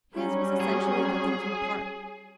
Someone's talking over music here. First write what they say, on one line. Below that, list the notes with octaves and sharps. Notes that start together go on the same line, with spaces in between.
His was essentially a thinking part.
F#3 G3 C#4
G#4